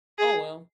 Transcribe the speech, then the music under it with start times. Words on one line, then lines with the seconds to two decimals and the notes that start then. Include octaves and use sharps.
Oh, well,
0.19 G#4